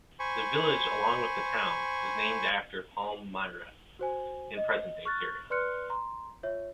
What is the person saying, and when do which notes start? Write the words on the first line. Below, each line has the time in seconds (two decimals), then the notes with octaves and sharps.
The village, along with the town, is named after Palmyra in present-day Syria.
0.20 C5 G#5 B5 C#6
3.99 F#4 C5 G#5
4.57 D#5
5.05 C#6 F6 F#6 A6
5.50 B4 D5 C6 F6 F#6 C#7
5.90 A#5 C6
6.43 F4 C#5 E5